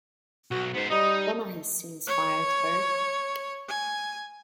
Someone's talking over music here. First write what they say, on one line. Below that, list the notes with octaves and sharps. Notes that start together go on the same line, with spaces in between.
Donna has since fired her.
B1 F#4
G#2 B3 C5
G3 D#4 D#5
C#5
G#5